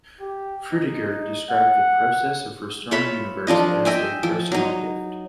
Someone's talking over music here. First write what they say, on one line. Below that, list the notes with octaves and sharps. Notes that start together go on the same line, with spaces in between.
Frutiger described the process of restoring Univers as a personal gift.
G4
D#4
F#5
F4 C#5 E5 B5
F3 D4 F4 D#5
D#5 E5 G5 G#5
F3
F#3 D#4